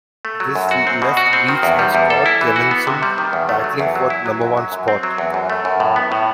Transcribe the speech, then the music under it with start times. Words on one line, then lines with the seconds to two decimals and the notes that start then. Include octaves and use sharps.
This left Weekes and Scott Clemmensen battling for the number one spot.
0.25 A3
0.40 F#3
0.55 F#2
0.71 F#4
0.87 C4
1.02 B2
1.17 F#4
1.33 C4
1.48 D#3
1.63 E2
1.79 G3
1.95 E2
2.10 A4
2.26 E4
2.41 E3
2.56 F#4
2.71 B3
2.87 C3
3.03 G3
3.18 D#3
3.33 E2
3.49 A3
3.64 F#3
3.79 E2
3.95 F#3
4.10 E4
4.26 F#3
4.41 F#2
4.57 F#3
4.72 F#2
4.88 C4
5.03 F#3
5.18 E2
5.34 F#2
5.50 A3
5.65 F#2
5.80 A2
5.96 B3
6.12 A2